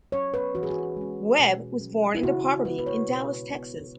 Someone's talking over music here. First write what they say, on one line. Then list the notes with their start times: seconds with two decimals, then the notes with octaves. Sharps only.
Webb was born into poverty in Dallas, Texas.
0.12 F#3 C#4 C#5
0.34 B4
0.55 E3 F#4
0.63 G#4
0.70 F#4
0.97 G#3 C#4
1.39 B2
1.81 F#3 C#4
2.15 E4
2.23 C#3 F#4
2.65 G#3 B3 B4
2.78 B4
2.86 C#5
3.08 B2
3.49 B3